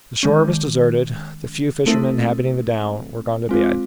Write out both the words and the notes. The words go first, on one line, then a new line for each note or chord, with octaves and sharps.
The shore was deserted; the few fishermen inhabiting the down were gone to bed.
D#3 G#3 C#4
A3 C4 E4 A4
G#3 C4 F4